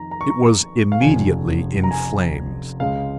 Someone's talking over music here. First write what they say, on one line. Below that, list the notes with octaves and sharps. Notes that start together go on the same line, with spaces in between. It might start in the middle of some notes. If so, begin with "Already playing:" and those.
It was immediately in flames.
Already playing: F2 D#3 A#5
A#5
C#6
A#5
F5
F1 F2 C#3 G#5
A#5
G#5
C#2 C#3 G#3 F5